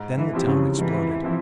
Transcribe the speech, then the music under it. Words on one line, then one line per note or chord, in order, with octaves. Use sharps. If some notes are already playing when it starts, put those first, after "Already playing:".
Then the town exploded.
Already playing: G#2
E3
F3 C4 E4 G4
C#3
G#2 E3
F3 C4 E4